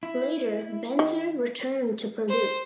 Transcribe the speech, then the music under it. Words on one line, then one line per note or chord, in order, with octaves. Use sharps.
Later Benzer returned to Purdue.
E4
D#3
C5